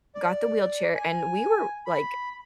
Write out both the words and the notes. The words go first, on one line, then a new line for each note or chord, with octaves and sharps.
got the wheelchair, and we were, like
D5
G#5
B5